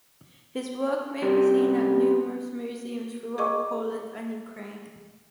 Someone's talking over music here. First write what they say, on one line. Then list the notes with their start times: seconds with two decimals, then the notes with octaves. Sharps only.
His works may be seen at numerous museums throughout Poland and Ukraine.
1.22 F#2 C3 F#3 G3
3.38 G#4 D#5 C#6 D6